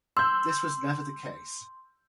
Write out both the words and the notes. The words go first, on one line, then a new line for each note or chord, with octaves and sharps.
This was never the case.
C6 E6 G6